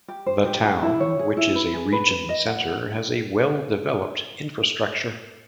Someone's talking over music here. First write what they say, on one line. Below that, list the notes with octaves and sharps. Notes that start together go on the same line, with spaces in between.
The town, which is a region center, has a well-developed infrastructure.
G4
C5
G4
G4
E4
C#5
G#4
E4
B4
G#4
B4
B4
D#5
F#5